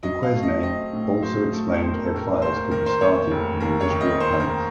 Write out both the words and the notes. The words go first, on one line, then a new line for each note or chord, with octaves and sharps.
Duquesne also explained how fires could be started in industrial plants.
F#3 D#5
F5
A3
D#5
C4 D#5
A2
F#3 C5
A3
C4 C5
A#4
A4
A2 A#4
D#2 C5
A#4
D#3 A#4
C5
A#3 C#5
F1
D#2 A#4
C#5
D#3
D#5
A#3 C5
A#4